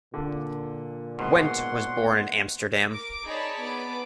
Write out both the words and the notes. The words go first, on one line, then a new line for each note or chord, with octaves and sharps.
Went was born in Amsterdam.
A#2 D3
G#2 B2 C#5 F#5 C6
A#4 D6 D7
D#4 G#4 C#5 D5 A5 B5
B3 B4 D6